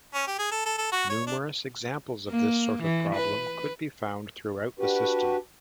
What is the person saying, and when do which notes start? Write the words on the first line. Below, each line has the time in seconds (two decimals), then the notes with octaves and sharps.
Numerous examples of this sort of problem could be found throughout the system.
0.14 C#4
0.27 G4
0.38 G#4
0.51 A4
0.65 A4
0.78 A4
0.92 F#4
1.09 C#5
1.27 D4
2.29 A#3
2.83 E3
3.15 B4
4.79 D4 F#4 G4 B4